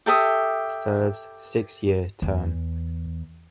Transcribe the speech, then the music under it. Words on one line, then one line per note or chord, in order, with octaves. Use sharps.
Serves six year term.
G4 A4 E5 D#6
E2